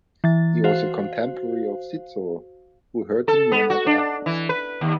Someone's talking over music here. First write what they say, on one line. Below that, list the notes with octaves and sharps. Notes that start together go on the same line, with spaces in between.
He was a contemporary of Cicero, who heard him when at Athens.
E3 A6
F#4 C5 F5
A4
B3
F#4
D4
E3
B4
D#2